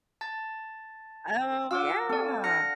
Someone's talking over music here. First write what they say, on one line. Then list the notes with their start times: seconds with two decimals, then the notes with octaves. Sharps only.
Oh, yeah.
0.21 A5 A6
1.71 F4 F#5 D6 E6
2.09 C4 A4 D5
2.44 D4 F#5 F6 A#6 C#7